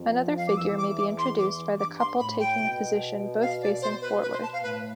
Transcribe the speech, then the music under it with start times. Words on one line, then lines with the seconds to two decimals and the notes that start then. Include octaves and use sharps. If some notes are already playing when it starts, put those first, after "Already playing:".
Another figure may be introduced by the couple taking a position both facing forward.
Already playing: F2 F3
0.37 F5
0.47 D6
0.57 E2 E3 E6
0.78 D6
0.98 D6
1.18 C6
1.38 D6
1.79 G2 D6
1.99 C6
2.19 A2 B5
2.39 G5
2.60 B2
3.41 F5
3.61 D5
3.82 B2 C5
4.01 B4
4.22 B4
4.33 C5
4.43 A5
4.53 F5
4.62 A2 B4